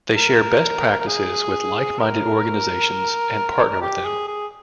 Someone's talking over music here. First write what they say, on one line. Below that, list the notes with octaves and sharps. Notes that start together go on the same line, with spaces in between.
They share best practices with like-minded organizations and partner with them.
A#4
A#4
G#4
A#4
G4
G#4
G#4